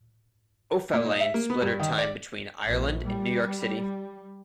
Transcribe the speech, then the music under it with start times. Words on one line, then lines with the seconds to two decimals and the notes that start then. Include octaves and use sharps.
O'Faolain split her time between Ireland and New York City.
0.93 A#2
1.06 D#4
1.20 E5
1.34 A#3
1.50 B3
1.62 G2
1.80 D#3
1.98 D5
2.68 A#1
3.06 G3